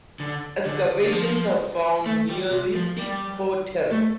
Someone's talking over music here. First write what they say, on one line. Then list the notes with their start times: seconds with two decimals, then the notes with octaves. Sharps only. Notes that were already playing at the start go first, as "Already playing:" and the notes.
Excavations have found neolithic pottery.
0.20 D3
0.66 D3
1.02 D3
1.12 F3
2.06 A3
2.29 G3
2.51 C3
2.75 F3
2.98 G3
3.91 A3